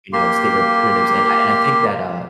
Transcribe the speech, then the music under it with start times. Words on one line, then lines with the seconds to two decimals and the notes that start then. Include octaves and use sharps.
you know, state representatives and I and I think that, uh,
0.13 A#3 G4 C6